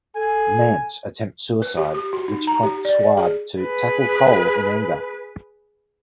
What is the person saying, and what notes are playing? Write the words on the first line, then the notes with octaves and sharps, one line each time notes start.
Nance attempts suicide, which prompts Huard to tackle Cole in anger.
A4 G#5
B4
G4
G4
F#4
D#4
A#5
G4
D5
D5
G#4
G#4 B4